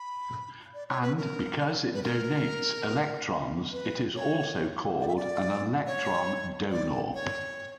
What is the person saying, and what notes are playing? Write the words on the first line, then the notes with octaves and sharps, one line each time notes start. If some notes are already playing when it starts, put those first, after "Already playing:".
And because it "donates" electrons it is also called an electron donor.
Already playing: B5
D5
C#5
B4
A#4
B4
A#4
B4
C#5
D5
E5
D5
C#5
D5
C#5